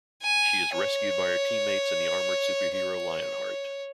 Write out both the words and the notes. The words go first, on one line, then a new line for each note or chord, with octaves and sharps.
She is rescued by her teammates and the armored superhero Lionheart.
G#5
C#5
C#5